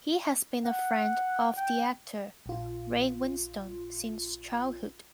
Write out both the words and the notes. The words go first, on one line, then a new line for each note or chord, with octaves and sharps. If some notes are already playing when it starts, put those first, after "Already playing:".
He has been a friend of the actor Ray Winstone since childhood.
F#5
G5
A#1 F4